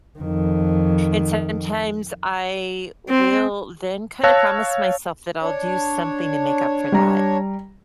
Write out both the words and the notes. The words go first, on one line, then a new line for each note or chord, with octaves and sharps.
and sometimes I will then kinda promise myself that I'll do something to make up for that,
F2 D#3
C4
C#5 F5 A5 E6 F#6 A#6
D4 C#5
G3 A#5